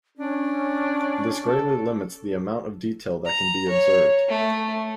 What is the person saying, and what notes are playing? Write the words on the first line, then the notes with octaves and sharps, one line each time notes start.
This greatly limits the amount of detail that can be observed.
C#4 D4
A4
A#5
C#5
A3